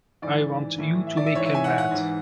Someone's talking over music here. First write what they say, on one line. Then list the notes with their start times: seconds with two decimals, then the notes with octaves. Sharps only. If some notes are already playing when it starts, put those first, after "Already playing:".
I want you to make him mad.
0.22 G#2 E3 D5
0.79 A2 E3
1.07 E5
1.17 D5
1.26 E5
1.35 G#2 E3 C#5
1.45 E5
1.55 G#5
1.64 F#5
1.78 F#5
1.91 G#2 E3